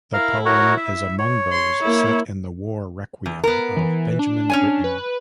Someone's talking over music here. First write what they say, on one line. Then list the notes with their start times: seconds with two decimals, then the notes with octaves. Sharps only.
The poem is among those set in the "War Requiem" of Benjamin Britten.
0.13 E4 A#4 F5
0.46 F#4 A#4 C#5
0.77 E5
1.19 C#5
1.52 C6
1.83 A#3 E4
3.26 E2
3.44 B3 A#4
3.77 E3
4.19 D4
4.50 C#4 C#5 G#5
4.84 B4